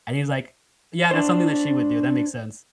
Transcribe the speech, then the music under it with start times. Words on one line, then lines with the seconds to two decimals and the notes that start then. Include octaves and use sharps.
And he was like, "Yeah, that's something that she would do. That makes sense."
1.11 D4 C5